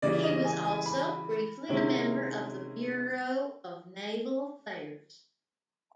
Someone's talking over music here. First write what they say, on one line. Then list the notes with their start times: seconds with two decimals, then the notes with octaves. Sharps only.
He was also briefly a member of the Bureau of Naval Affairs.
0.02 C#3 E3 G3 D5
0.23 D#5
0.44 G#5
0.65 G#5
0.86 B5
1.69 C3 D#3 G#3 C#4 E4